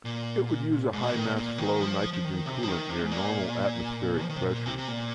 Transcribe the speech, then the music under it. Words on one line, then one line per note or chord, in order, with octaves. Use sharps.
It would use a high mass-flow nitrogen coolant near normal atmospheric pressures.
A#2
G#2
A#2
D#3
A#2
A#2
D#3
F3
F3
D#3
C3
F3
D#3
C3
G#2
A#2
F3
D#3
C3
A#2
C3
C3
A#2